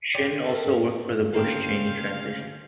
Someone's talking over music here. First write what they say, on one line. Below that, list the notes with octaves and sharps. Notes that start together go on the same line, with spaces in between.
Shin also worked for the Bush-Cheney transition.
C#5 D5 G5 C6 D6
A4 A#4
D2 C#3 A#3 D4 G4 C5 F5